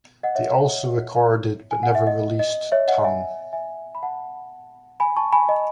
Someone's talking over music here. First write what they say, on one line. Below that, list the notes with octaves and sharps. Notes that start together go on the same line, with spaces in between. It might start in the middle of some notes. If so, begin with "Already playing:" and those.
They also recorded but never released "Tongue".
D#5 F#5
C#5 E5
C#5
C#5
G#5
F#5
E5
D#5
D#5
C#5 E5
D#5 F#5
E5 G#5
E5 G#5
B5
F#5 A5
G#5 B5
A5 C#6
G#5 B5
D#5